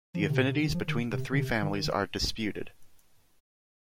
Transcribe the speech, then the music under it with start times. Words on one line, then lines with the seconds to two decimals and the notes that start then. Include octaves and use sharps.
The affinities between the three families are disputed.
0.14 F3
0.22 D#3
0.30 C3
0.38 A#2
0.50 C3
0.63 D#3
0.74 F3
0.87 D#3
1.12 C3
1.32 D#3
1.37 C3
1.62 D#3